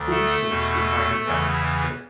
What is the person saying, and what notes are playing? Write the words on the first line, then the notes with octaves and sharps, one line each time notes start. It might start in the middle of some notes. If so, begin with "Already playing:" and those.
Please search the Ironbound picture.
Already playing: D2 D3
A3 A4
E2 B2
E2 C#3 E3